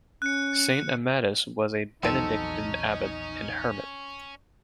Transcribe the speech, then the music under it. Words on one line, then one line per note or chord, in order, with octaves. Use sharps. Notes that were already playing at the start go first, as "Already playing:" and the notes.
Saint Amatus was a Benedictine abbot and hermit.
C#4 F#6 C#7
A#1 E2 F#3 C4 C#4 D#4 A4